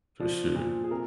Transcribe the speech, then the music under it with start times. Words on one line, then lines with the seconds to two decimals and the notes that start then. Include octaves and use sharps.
For sure.
0.20 F3 D5
0.55 A#2
0.84 G#4
0.91 C3 A#4